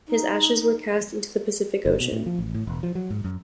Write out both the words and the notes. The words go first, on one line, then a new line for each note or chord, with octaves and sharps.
His ashes were cast into the Pacific Ocean.
D#4
G1
B2
A2
F3
A1
A2
E1
F3
F#3
G#2
F#2